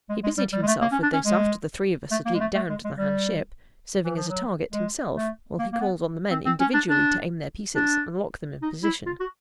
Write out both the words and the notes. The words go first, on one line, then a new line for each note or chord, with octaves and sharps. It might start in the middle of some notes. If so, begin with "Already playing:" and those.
He busied himself with this after the three of us leaped down to the Han ship, serving as a target himself, while he called on the men individually to aim their pieces and lock them in position.
G#3
G#3
G3
G3
G#3
A3
A#3
C#4
D4
C#4
G#3
A3
A#3
G#3
A3
A3
G#3
G#3
G3
E3
F3
F#3
G#3
A3
A#3
A#3
B3
C4
C4
C#4
D4
D4
D4
D#4
E4
F4
F#4